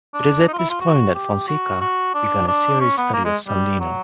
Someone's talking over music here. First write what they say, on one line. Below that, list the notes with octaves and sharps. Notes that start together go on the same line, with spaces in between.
It is at this point that Fonseca "began a serious study of Sandino".
D4
D#4
F4
E4
F4
F#4
G4
F#4
F#4
D4
D4
C#4
B3
A#3
G#3
G3
F#3